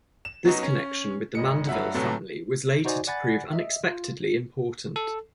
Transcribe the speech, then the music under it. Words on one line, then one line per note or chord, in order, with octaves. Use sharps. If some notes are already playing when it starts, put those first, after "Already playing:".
This connection with the Mandeville family was later to prove unexpectedly important.
E7
F#3 B3 C#4 D#4
C#4
G#1 D#5 C#7
G2 F#3 E5 F#5
A2 C3 E3 F#3 A3
D#4 F#4 C5 D5 D#5 G#5
D5 F#5 G#5 B5 A6
D#5 E5
F4
A4